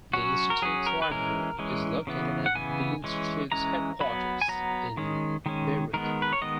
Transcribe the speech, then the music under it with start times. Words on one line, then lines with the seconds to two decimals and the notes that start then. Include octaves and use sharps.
The Institute's library is located at the Institutes's headquarters in Beirut.
0.13 F#3 C#4 F#4
0.50 A#4
0.62 F#3 C#4 G#4
0.86 A#4
1.02 B4
1.11 E3 G#3 C#4 A#4
1.59 E3 G#3 C#4
2.07 C#3 E3 B3
2.46 F#5
2.55 C#3 E3 B3 G#5
3.04 E3 G#3 C#4
3.52 E3 G#3 C#4 A#5
4.00 F#3 B3 B5
4.41 G#5
4.48 F#3 B3 A#5
4.97 D#3 G#3 C#4
5.46 D#3 G#3 C#4
5.94 D#3 G#3 B3 A#4
6.22 B4
6.33 C#5
6.42 D#3 G#3 B3 D#5